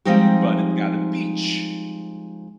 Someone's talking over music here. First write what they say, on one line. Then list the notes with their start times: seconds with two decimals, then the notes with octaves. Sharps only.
but it's got a beach,
0.05 F3 G3 G#3 C4 D#4 G4